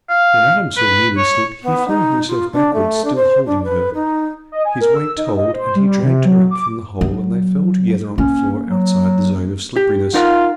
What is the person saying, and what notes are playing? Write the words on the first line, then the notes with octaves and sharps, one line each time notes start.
When Adam saw Mimi slip, he flung himself backward, still holding her. His weight told, and he dragged her up from the hole and they fell together on the floor outside the zone of slipperiness.
F5
B4
C#5
B3
D#4
F4
D4
A3
D4
C5
D4
B4
D#4
D#5
G#5
A#4
E6
D#4
D#5
C5
G3
C3
F#3
D6
F#3
A#3 C#4
F#3
G4
D#4 F4 A#4 F#5